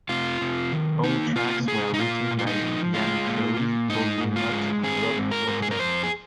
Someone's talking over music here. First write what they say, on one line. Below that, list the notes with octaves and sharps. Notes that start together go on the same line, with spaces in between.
All tracks were written by Ian Crause, Paul Wilmott, and Rob Whatley.
C3 F4
C3
D#3
A#3 D#4
C3 F4
C3 G#4
D#4
A#2 F4
A#2
F4
D#4
F3
G#3 F4
A#2
A#2
G#2 D#4
G#2
F4
G#3
C4 G#4
G#2
A#4
G#2
G#4
A#4
F2 C5
G#4